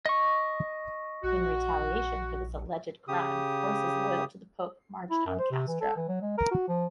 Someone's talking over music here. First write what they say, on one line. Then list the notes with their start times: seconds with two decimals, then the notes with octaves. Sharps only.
In retaliation for this alleged crime, forces loyal to the Pope marched on Castro.
0.06 D#5 C#6
1.23 A#1 F#4
3.08 C#3 G4 D#6
5.11 E4
5.27 F#2
5.39 C5
5.51 C3
5.68 E3
5.81 A4
5.96 E3
6.08 F#3
6.22 G#3
6.38 A#4
6.51 F#4
6.68 F3